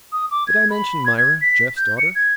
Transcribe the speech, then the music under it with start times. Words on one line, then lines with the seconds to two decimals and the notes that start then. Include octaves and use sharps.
Did I mention Myra, Jeff's daughter?
0.12 D#6
0.31 D6
0.47 G#6
0.70 B5
1.06 G#6
1.18 G#6
1.41 B6
1.77 G6
1.98 C#7
2.15 G#6